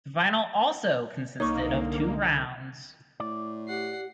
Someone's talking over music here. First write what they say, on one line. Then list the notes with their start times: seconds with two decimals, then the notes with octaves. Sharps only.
The final also consisted of two rounds.
1.40 C2 D3 A#3 D#4 C#5 C#6 D6
3.20 A2 D5
3.68 G4 F#5 C7